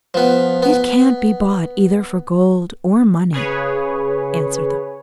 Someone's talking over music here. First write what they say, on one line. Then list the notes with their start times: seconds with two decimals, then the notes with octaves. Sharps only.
"It can't be bought either for gold or money," answered the girl.
0.14 F3 B3
0.63 B3
3.33 C#3 G#4 B4 C#5